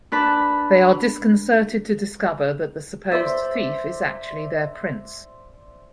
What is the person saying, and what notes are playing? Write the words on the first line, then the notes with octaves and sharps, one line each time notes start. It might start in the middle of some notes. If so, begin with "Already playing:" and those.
They are disconcerted to discover that the supposed thief is actually their prince.
D4 B4 A5 B5
C5 D5 E5